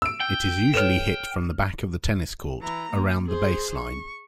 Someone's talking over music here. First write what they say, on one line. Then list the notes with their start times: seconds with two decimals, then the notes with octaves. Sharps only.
It is usually hit from the back of the tennis court, around the "baseline".
0.02 E6 D7
0.20 G5
0.74 A4 B4 C#5 F6 E7
2.62 E3 A#5
2.92 A#3
3.26 G#4 C5
3.78 C#6